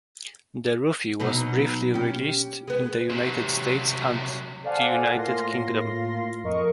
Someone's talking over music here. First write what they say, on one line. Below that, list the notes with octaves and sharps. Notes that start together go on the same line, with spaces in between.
The Ruvi was briefly released in the United States and the United Kingdom.
B2 F#3 D#4
C#4 G4
G#3 B3
C3 F#3
A4 C5 D5 F5 F#5 G#5
A2 A#3 F4 C6 A#6
F2 A#4 D#5 C#6